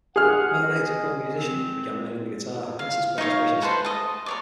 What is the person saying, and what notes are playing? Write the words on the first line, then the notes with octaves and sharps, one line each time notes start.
Motivated to become a musician, he began learning the guitar against his parents wishes.
G#4 F#5 F6
D#5
C4
F5
D#4 A#4 C#5 F5
A4 B4 C5
D#5 A5
A#4 C#5 D5